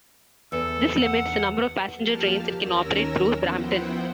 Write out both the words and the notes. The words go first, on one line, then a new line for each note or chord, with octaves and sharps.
This limits the number of passenger trains that can operate through Brampton.
E2 A4
F#5
F2 A#3 G4 A5 F6
D#2 C#4 A#4 E6 A#6
F3 B3 E4 C5 F#5 G5